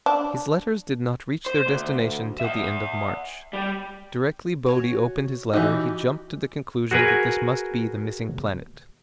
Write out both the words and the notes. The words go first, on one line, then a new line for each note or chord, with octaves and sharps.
His letters did not reach their destination till the end of March. Directly Bode opened his letter he jumped to the conclusion that this must be the missing planet.
D4
C5
D2
E5 F#5
G3 G4
F#4 C#5 G#5
E3 D#4 F#4 G4
F#4 G#4 A#4 B4 G#5